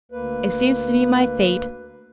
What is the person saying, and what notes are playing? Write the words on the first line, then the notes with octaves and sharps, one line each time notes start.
It seems to be my fate.
D2 A#3 B4